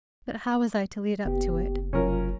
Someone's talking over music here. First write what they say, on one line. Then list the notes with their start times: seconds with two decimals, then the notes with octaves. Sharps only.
But how was I to lead up to it?
1.25 F#1 B3 G4
1.93 F#1 C2 F#3 C#4 F4 A#4